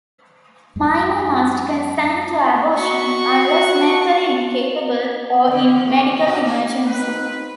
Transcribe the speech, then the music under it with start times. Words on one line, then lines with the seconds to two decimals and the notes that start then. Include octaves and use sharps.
Minor must consent to abortion unless mentally incapable or in medical emergency.
0.76 F#2 G#3
2.74 F#4 C#6
5.47 F2 D3
5.68 F3
5.85 C3 A3
6.12 F3
6.26 A#2 G3 F#4
6.45 A#3 D4
6.86 C4 D#4 B4